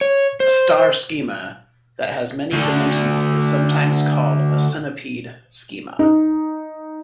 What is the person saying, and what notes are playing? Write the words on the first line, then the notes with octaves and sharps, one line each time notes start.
A star schema that has many dimensions is sometimes called a "centipede schema".
C#5
C5
D2 D3
D#4